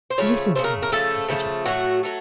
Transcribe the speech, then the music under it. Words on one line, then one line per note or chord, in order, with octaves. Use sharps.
"Listen, Kennedy!" I suggested.
C5
C#3 F3 A3 C#5
C#3 F3 A3 C5
A#4
A#4
C#3 F3 A3 A4
C#3 F3 A3
A2 F#3 A3 F#4
F#3 A3